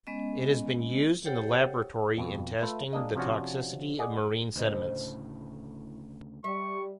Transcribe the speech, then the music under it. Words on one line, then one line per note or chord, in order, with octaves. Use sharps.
It has been used in the laboratory in testing the toxicity of marine sediments.
G#3 B3 C#4 D#5
G4 A4 C5 C#5 F#5 G5
F2 B2
A3 F4 B4 E5
G#3 A#3 D4 D5 D#5
C3 F3 C#4 D4 F#4
G#4 D5 D#5 F#5 G#5
D2 A2 C#3 C5 D#5
G3 E5 C#6